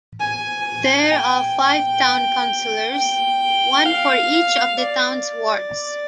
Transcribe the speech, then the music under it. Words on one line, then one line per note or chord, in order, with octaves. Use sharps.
There are five town councilors, one for each of the town's wards.
G#5
G5
G5
F5
D5